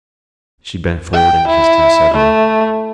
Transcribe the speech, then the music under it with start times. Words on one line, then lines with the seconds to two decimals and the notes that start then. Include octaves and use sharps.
She bent forward and kissed him suddenly.
1.13 G5
1.48 E4
2.14 A3